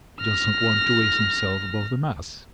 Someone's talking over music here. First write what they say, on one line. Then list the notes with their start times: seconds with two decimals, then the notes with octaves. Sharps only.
He does not want to raise himself above the mass.
0.21 F6 A#6